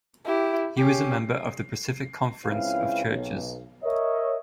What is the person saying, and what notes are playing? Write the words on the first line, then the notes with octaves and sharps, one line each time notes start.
He was a member of the Pacific Conference of Churches.
E4 G4
C#4 G4
C#2 C4 C#4 E4 B4 F5
B1
A#4 C#5 D#5 E5